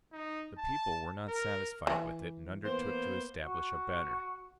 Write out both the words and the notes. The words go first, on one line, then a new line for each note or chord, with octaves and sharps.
The people were not satisfied with it, and undertook to establish a better.
D#4
A5
A#4
E3
A#3 B3 C5
F#4